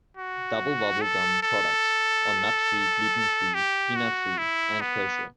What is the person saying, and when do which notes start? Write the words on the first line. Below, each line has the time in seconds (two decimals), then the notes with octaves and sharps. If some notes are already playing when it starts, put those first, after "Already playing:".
Dubble Bubble gum products are nut-free, gluten-free, peanut-free and kosher.
0.17 F#4
1.02 A4
1.43 A4
3.55 G4
3.96 F#4
4.38 E4
4.81 B3